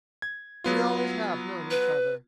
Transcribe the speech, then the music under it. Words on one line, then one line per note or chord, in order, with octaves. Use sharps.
"We always have known each other."
G#6
F#3 B3 F4
B4